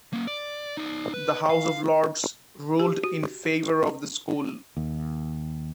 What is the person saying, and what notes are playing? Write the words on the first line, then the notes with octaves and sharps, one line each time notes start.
The House of Lords ruled in favour of the school.
A#3 C#4
D5
D#4 D5
B4
F5
G4
F#4
D#2